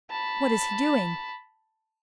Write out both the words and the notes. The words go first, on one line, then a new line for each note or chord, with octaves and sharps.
What is he doing?
A5 B5